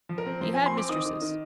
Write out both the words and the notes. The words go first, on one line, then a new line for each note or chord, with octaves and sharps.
He had mistresses.
F3
A#4
C4
F3 C5
C4 G#5
C6
C4 D6
D#3 D#6
D#3
D#3